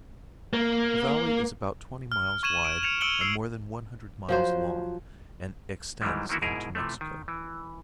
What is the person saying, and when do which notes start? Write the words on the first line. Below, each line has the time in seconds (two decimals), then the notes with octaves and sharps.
The valley is about twenty miles wide and more than one hundred miles long and extends into Mexico.
0.53 A#3
2.12 F6
2.43 C#6 G#6 D#7 E7 F#7
2.65 D7
2.83 G#6 C#7 E7 F7
3.01 E6 F6 C#7 D7 F#7 G7
3.21 E6 C7
4.29 F3 F#3 C5
6.01 G#2 D#3 E3 G3 G#3
6.29 D#3 E3 A#3 E4 F#4
6.42 G#2 B2 E4 G#4 A#4
6.75 C3 E3 F3 A3
7.01 D#3
7.28 E3